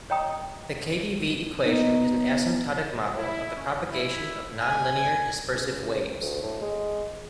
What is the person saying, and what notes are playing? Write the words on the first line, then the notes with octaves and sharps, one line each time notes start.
The KdV equation is an asymptotic model of the propagation of nonlinear dispersive waves.
C#5 D#5 G5 A#5 D#6
B3 D#4
E4
C#4
E4
G#5
C#2
D2
A2
G#3